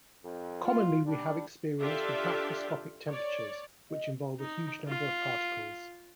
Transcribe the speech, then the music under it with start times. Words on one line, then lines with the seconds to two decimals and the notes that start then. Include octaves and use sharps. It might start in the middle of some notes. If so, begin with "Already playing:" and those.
Commonly we have experience with macroscopic temperatures, which involve a huge number of particles.
0.24 F2
0.66 F4
1.06 G3 D4
1.80 D4 F4 G4 A4 D5 E5
3.09 C#5 D5
3.91 D#5
4.40 D#4
4.88 F4